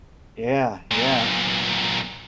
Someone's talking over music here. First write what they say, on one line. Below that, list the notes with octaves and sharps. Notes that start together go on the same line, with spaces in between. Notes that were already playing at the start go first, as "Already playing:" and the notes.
Yeah, yeah,
B1 A#2